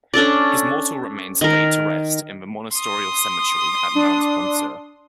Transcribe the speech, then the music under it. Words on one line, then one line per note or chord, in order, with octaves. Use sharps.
His mortal remains are laid to rest in the Monastorial Cemetery at Mount Poinsur.
C#4 D4 A4 D5
D#3 A#4
C6 D#6
D4